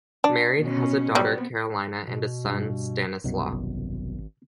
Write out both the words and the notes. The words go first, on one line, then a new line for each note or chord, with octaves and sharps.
Married, has a daughter Karolina, and a son Stanislaw.
D4
B2 C#4
F#3 G3 B3 C4
B2
G2
C2 F#2 B2
G#1